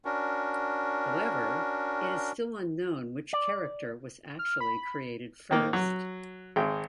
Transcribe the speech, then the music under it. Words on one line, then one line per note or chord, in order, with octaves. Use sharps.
However, it is still unknown which character was actually created first.
C#4 D4 F#4 A#4
D5
F6
B5
D#3 A#3
F#3
G#1 G#3 G5